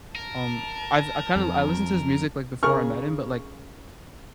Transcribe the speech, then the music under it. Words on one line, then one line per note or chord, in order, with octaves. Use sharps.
Um, I've I kinda I listened to his music, like, before I met him, but, like,
A#4 A5
F2
C#3 G#4 A#4 C#6 F6